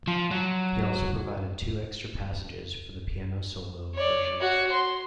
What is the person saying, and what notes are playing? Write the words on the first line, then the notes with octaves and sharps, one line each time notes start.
He also provided two extra passages for the piano solo version.
F3
F#3
C#5 D5
F#4 C#5
C6